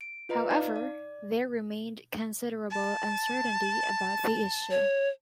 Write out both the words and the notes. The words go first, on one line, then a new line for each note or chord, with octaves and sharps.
However, there remained considerable uncertainty about the issue.
D7
F4 B4 D#5 A#5
D#4 D5 F5
D5
A5
C#5